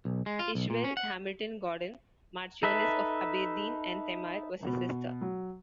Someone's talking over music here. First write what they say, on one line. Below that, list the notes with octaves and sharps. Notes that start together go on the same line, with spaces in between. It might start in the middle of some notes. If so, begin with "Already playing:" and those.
Ishbel Hamilton-Gordon, Marchioness of Aberdeen and Temair, was his sister.
B1
G#3
F4
B1
A#2
C#4
F#5
D#4 A4 B4 E5
B2
F#3